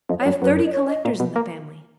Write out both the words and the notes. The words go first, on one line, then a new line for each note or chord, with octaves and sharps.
I have thirty collectors in the family.
F2 D#5
C#5
F#2
C#5
F#2 B4
A#4
D#5
C#5
D#5
A#2
B2
A#3